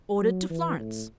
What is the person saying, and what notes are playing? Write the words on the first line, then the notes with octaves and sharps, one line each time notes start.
Ordered to Florence.
F#3
E3
A2